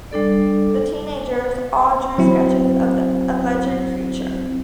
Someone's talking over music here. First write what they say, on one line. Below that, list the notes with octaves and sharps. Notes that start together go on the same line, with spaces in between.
The teenagers all drew sketches of the alleged creature.
G3 D4 A4 D5
F#3 C4 E4